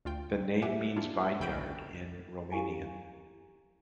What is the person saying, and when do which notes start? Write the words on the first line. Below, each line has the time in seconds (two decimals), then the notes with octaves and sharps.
The name means "vineyard" in Romanian.
0.05 D2 F4 G5
0.62 A#3 G4 E5 F#5 G#5
0.96 A#3 D4 E4 F4
1.40 B1 C#3 G5 B5 G6 D7
2.52 E4 G4 F5 G#5 A#5